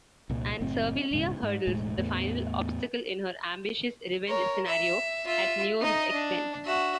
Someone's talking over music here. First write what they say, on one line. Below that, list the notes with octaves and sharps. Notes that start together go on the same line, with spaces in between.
And Servilia hurdles the final obstacle in her ambitious revenge scenario, at Niobe's expense.
C2 A#2
F#1 A2 C4
D#1 G#2 C#3
G#2
E1 A2 G#3
E2 A2 A3 B3
A#4 C#5
E5
F4 E5
D#4 D#5
D4
F#4 E5